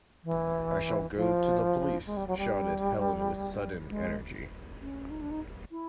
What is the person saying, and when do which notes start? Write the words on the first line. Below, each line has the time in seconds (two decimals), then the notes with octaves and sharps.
"I shall go to the police," shouted Helen with sudden energy.
0.24 E3
1.16 F3
2.06 G#3
2.17 G3
2.27 F#3
2.37 G3
3.89 G#3
4.80 C#4
5.10 D#4
5.21 D4
5.31 D#4
5.71 E4